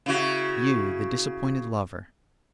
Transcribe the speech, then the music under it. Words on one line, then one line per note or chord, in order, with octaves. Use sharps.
'You, the disappointed lover?
C#3 E4 F#4